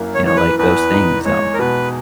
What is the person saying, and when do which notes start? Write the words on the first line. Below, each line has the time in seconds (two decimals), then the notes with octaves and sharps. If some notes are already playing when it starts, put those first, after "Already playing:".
you know, like those things, um
Already playing: F#2 A#3 E4
0.14 C#5
0.25 E3 C#5
0.36 B4
0.59 E2 B4
0.92 D#4
1.25 G#3 C#5
1.54 A#4
1.59 B2 B4